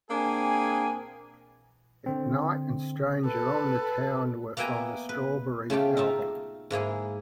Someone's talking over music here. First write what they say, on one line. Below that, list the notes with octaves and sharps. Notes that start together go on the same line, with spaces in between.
"Ignite" and "Stranger on the Town" were from the "Strawberries" album.
A#3 C4 D4 G#4 G#5
D3 C4
A4 B4
A#3 B3 E5 G5 G#5 A#5
B4
C#3 A3 F4 G4
D#4 F4 E5
G#2 A#3 E4 G#4